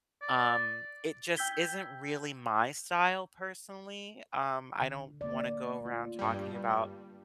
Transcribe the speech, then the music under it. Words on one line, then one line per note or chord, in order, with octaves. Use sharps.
um, it just isn't really my style personally? Um, I don't wanna go around talking about
D5
G5 E6 G6 G#6 B6 G7
D3
A#3 D5
A3 F4
G2 G3